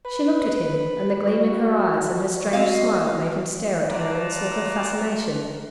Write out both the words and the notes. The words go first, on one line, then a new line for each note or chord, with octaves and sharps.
She looked at him and the gleam in her eyes and her strange smile made him stare at her in a sort of fascination.
B4 B5
F#4
C4 D#5 F5
F4 F#4 D5 A5 A#5